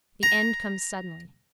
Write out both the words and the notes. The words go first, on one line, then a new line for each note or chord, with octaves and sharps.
The end comes suddenly.
A#5